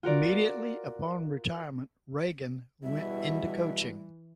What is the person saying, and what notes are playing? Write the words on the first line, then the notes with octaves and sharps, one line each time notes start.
Immediately, upon retirement, Regan went into coaching.
F4 F#4 A#4 D5
E2 G2 B2 E3 G3 E5